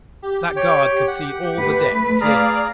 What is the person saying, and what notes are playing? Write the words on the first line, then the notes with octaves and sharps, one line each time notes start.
That guard could see all the deck clearly.
G4
C#5 G5
F#5
A3 B4
G#4 D5 F5 A#5 F6